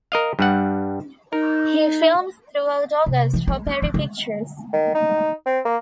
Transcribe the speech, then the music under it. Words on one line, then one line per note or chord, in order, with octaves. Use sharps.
He films throughout August for Perry Pictures.
A#4 D#5 F5
G2 G3 F#5
D#4 A#4
C3
E3
G#3
A#3
D#3
C#3
D#3
D#4
C4
A#3